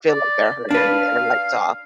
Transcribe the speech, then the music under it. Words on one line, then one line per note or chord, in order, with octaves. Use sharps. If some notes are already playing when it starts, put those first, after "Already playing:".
feel like they're hurt and and the lights off.
D5
D4 B4 F5